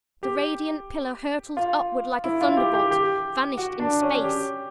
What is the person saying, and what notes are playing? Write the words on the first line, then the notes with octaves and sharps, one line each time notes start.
The radiant pillar hurtled upward like a thunder-bolt; vanished in space.
G4
F4
E4
F4
G4
G4
G4
F#4
D4
C#4
G4